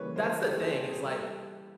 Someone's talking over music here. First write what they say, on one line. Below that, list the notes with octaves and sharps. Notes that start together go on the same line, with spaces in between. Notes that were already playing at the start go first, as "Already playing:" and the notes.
That's the thing is, like,
Already playing: C#3 E3 G3 A#3 B4 C#5
A#4 C5
G4 A4
G#4
G4
G#4
G3 G4 A4